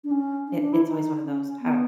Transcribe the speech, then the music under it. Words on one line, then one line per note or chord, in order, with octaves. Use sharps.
it it's always one of those har m m
D4
C#4
D4
D4
E4
D#4
C#4
B3